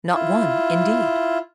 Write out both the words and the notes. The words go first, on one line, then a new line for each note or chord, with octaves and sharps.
"Not one, indeed."
E4 F4